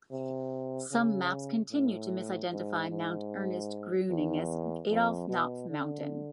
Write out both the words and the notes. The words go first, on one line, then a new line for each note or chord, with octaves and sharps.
Some maps continue to misidentify Mount Ernest Gruening as Adolph Knopf Mountain.
C3
C#3
A2
G#2
G#2
E2
F2
B2
D3